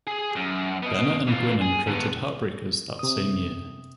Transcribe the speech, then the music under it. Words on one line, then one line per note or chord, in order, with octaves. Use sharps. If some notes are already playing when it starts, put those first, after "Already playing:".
Bennett and Guinan created "Heartbreakers" that same year.
G#4 G#5
F#2
B3 D#5
E3 F4
G#4
D3 B3
C3 D#6